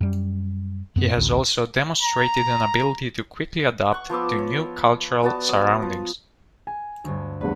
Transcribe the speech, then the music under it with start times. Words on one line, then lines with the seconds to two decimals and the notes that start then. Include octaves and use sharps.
He has also demonstrated an ability to quickly adapt to new cultural surroundings.
0.01 F#2 G3
0.96 F#2 B3
1.16 A1 D2
2.02 A#5
3.92 F#5 C#6
4.09 F3 B3 D6 E6
4.39 C#5
5.23 B3 F#4 D5 A5
5.49 F#3 D#6
5.82 F3
6.67 G#5
7.04 D2 G2
7.41 A#1 E2 G2 B4 F#5